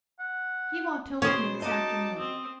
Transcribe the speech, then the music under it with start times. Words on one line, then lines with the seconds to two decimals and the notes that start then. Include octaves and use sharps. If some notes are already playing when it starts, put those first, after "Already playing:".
He walked home with me this afternoon.
0.20 F#5
1.22 B2 C#4 G#4 C5
1.62 D#4 F#4 D#5 A5 D6
2.19 C4 D#6